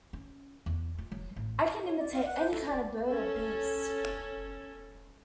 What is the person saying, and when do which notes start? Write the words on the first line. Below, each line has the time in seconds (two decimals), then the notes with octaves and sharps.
I can imitate any kind of a bird or beast.
0.13 C#4
0.66 E2
0.98 F4
1.12 F#3
1.36 A1
1.86 C#5
1.98 D5
2.13 F5
2.25 F#5
2.39 C5
2.51 A4
2.68 D5
3.08 C#4 A4